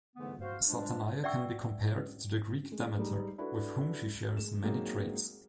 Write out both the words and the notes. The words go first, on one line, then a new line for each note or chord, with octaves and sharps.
Satanaya can be compared to the Greek Demeter, with whom she shares many traits.
G#2 D3 E3 A3 B3
F#4 C5 F5
F3 G3 G#3 D4
D5 E5 F#5 G5 C#6 E6
G#3
G3 G#3 D#4
D4 E4 F#4 A4 B4
G#3 E7
F#3 G#3 A#3 C4 D#4 F#4